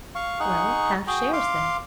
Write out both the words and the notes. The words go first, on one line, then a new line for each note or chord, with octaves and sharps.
"Well, half shares then."
F5 C#6
D#4 G#4 F#5 C#6
F#4 G#4 G5
F5 C6 D6